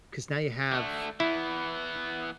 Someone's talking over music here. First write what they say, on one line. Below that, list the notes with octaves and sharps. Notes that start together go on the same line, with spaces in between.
'Cause now you have
D3 A3
E3 B3 E4